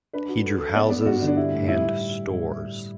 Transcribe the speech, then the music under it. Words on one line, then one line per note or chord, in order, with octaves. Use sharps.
He drew houses and stores.
D4 B4
F#4
A4
A4
B3 D5
B3 D5
G2 F#4
D3
D4
G3 E4
A2
G3 E4